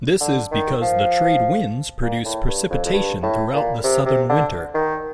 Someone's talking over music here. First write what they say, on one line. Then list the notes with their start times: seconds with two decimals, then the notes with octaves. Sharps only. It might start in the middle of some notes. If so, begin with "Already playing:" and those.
This is because the trade winds produce precipitation throughout the southern winter.
0.21 D3
0.51 D#3
0.82 F3
2.02 A#2
2.25 A2
2.47 G2
2.70 F2
2.85 F2
2.93 G2
3.23 A2
3.53 A#2
3.84 C3
4.05 C3
4.29 D3
4.74 D#3